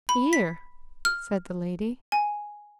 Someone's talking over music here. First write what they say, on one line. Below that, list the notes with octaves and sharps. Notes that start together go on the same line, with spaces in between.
"Here," said the lady.
B5
B6
F6
G#5